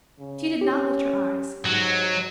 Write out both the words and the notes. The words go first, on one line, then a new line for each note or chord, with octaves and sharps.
She did not lift her eyes.
C#3
C#4 G4
G#2 F#3